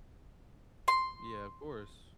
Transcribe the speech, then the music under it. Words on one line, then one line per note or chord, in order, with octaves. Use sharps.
Yeah, of course.
C6